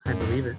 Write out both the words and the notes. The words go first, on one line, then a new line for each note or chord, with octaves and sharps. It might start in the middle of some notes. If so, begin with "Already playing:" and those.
I believe it.
F#2
F2 G#2